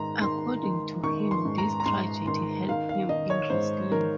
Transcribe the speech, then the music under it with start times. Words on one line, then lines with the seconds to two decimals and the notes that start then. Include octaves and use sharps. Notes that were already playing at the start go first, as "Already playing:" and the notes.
According to him, this tragedy helped him in wrestling.
Already playing: G#2 D#3 A#5 C6
0.22 D#3 C6
0.63 D#3
1.03 D#3 C#6
1.31 C6
1.45 G#2
1.58 A#5
1.80 A#5
1.86 G#2 C6
2.27 D#3 C6
2.69 D#3 F5
2.89 F5
3.09 D#3 D#5
3.30 C#5
3.50 G#2 C5
3.91 D#3 A#4